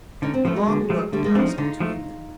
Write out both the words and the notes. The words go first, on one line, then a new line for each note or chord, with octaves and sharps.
A long look passed between them.
D3 C#4 D#4
C4 D4
F3 A3 B3 C#4
F#3 G#3
D3
F3 A3
D3 G3 A3
G#3 A#3
F3 A3 C4 D4
C#4 D#4
D3 D#4 F4
F3 A3